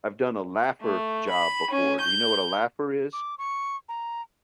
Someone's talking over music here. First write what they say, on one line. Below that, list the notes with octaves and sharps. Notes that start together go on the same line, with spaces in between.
I've done a laugher job before. Do you know what a laugher is?
A3
B5
C#4
G6
D6
C#6
A#5